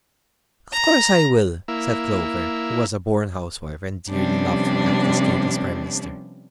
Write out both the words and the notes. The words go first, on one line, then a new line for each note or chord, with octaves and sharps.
"Of course I will!" said Clover, who was a born housewife, and dearly loved to act as Katy's prime minister.
A#5
A#3 E4
C3 F3 G3 B3 C#4 D4